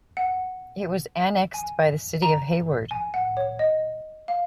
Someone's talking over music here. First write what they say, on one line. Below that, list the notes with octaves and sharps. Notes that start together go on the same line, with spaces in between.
It was annexed by the City of Hayward.
F#5
G#5
A#5
G#5
F#5
C#5
D#5
F5